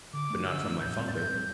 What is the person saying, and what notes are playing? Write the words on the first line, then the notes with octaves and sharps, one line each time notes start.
But not from my father.
D3 D6
A3 D4
D3 E6
A3 D4
A2 G6
G3 C4
A6
A2 G6
G3 C4